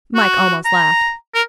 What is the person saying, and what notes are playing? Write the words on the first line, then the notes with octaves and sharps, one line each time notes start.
Mike almost laughed.
F#4
A#5
A#4